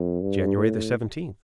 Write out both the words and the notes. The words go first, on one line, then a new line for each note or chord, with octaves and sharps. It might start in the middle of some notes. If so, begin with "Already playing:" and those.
"January the seventeenth."
Already playing: F2
G2
A2